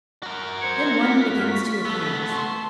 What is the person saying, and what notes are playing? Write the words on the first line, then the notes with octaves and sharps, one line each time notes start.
Then one begins to appraise.
F#4 A#4
C5 G#6 C#7
F4 F6 B6
C#6
A3 B3 E6
A5 C6 C#6